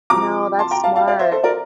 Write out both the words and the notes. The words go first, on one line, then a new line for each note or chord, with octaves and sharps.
No, that's smart.
C3 F3 C4 A#5 D6
A5 C6
G5 A#5
F5 A5
F5 A5
D5 F5
C5 E5
A4 C5
A#4 D5